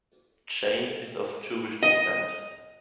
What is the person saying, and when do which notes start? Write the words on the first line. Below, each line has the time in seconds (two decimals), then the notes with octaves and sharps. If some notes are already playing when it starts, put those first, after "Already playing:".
Jayne is of Jewish descent.
1.83 D#5